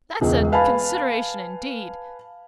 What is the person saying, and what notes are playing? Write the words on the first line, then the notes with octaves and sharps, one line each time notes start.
That's a consideration, indeed.
E1 C#2 G#4
B4 F5 G#5 A5 B5